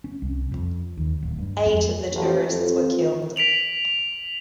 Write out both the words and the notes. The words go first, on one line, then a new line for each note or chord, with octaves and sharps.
Eight of the tourists were killed.
C#4
C2
F2
D#2
D1
G2
F2
A1
F2
B6 D7 F7 F#7